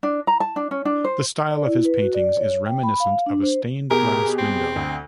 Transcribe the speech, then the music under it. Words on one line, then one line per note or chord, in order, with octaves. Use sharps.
The style of his paintings is reminiscent of a stained glass window.
D4
A#5
A5
D4
C#4
D4
C5
D5
E4
B4
F#4
D5
C#5
G5
B5
F5
D4
C5
B2 G4 G#4 A#4
C4
D2